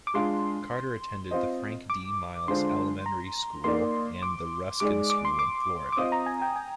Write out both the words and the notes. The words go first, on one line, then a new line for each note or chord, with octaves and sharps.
Carter attended the Frank D. Miles Elementary School and the Ruskin School in Florida.
D6
G#3 D4 F4 C6
C4 F4 C5 D#5
D6
D3 G#3 D4 F4 C5 C6
A#5
A#3 D#4 A#4 D5 C6
D6
G#3 D#4 G#4 D5 D6
D6
C6
D6
D6
C4 F4 C5 D#5 D#6
A#5
G#5
G5
G#5